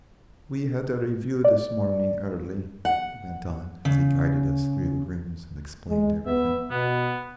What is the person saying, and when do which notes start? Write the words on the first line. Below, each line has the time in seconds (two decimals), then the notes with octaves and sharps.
"We had a review this morning early," he went on, as he guided us through the rooms and explained everything.
1.45 D5
2.85 F#5
3.85 C#3
5.89 G#3
6.26 B3 E5
6.71 B2 B3